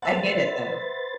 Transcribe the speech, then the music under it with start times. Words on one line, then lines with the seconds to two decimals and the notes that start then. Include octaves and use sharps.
I get it though.
0.02 B4 C5 E5 F#5 A6